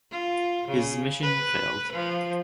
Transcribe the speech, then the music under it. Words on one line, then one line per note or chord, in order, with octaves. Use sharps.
His mission failed.
F4
C#3
B4
F3